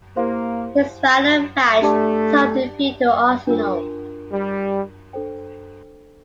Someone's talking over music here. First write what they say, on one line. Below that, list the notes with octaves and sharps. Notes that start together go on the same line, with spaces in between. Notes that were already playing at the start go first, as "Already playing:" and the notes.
His final match was a home defeat to Arsenal.
A#3 E4 G4 C5 F5 C6
A3 D4 G4 D5 A5 D6
D4 F4 A#4
G3
D4 A4 C5 G5